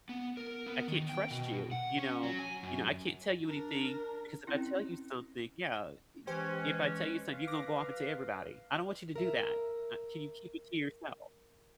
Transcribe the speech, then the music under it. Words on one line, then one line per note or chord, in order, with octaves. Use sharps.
I can't trust you, you know know you know, I can't tell you anything because if I tell you something yeah, e e if I tell you something, you're gonna go off and tell everybody, I don't want you to do that, uh, can you keep it to yourself?
B3
A#4
B3
D#3
G5
B2
F#5
C#4
F#3
G#5
F#2
D4 A#4
C4 C#4 E4
E3 G#3 C#4 G4 C5 G#5
B4 F5
D6 A#6
A#4 E5